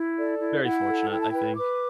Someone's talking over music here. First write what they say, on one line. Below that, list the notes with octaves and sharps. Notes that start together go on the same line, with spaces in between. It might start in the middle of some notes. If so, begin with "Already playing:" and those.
very fortunate, I think.
Already playing: E4
A4 D5
E4
E4 F#5
A4
E4 G5
A5
B4 G5
B4 D6